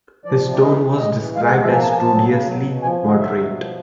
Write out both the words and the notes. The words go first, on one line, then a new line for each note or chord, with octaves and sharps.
His tone was described as studiously moderate.
F3 D5
C3
D5
E3 D#5
C3
G#3 D#5
E3
G#3 F5
G#5
F3 F#5
E5
A#3 G#5
A5
F3 G#5
A5
F#3
C#3
F#3
B2
F3 G#5
D3
D#5
F#3 E5
B2
F3